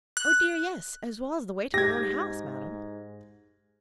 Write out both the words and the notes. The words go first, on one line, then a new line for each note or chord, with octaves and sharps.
'Oh dear, yes! as well as the way to my own house, Madam.
F#6
G#2 G4 G#6 A#6